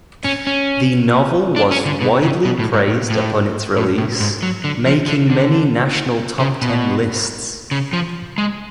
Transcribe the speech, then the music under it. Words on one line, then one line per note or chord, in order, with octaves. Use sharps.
The novel was widely praised upon its release, making many national top ten lists.
C#4
C#4
D4
C#4
D3
B2
C#3
B2
A2
G#2
A2
A2
A2
A2
G#2
F#3
D3
F3
D3
D3
C#3
B2
C#3
F3
G#3